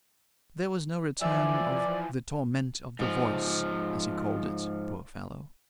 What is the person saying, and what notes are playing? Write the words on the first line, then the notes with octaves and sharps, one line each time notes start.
There was no return of "the torment of the voice"--as he called it, poor fellow.
E3 F3 D5 E5 G#5
G#2 F3